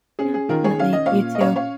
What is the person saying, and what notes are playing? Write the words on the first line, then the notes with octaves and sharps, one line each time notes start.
Yeah, definitely, you too.
C#4 G#4
G#4
D#3 F4 A#4
G#4 C#5
C#4 F5
D#5
A#2 C#5 F5
D#5
C#4 C#5 F5
C#5 F5